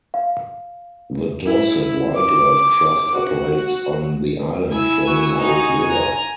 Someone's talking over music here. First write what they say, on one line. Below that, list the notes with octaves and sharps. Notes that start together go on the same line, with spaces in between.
The Dorset Wildlife Trust operates on the island from an old villa.
F5
E4
D6
F#4
E4 G#5 E6
F#4
D#4 G#5
A#5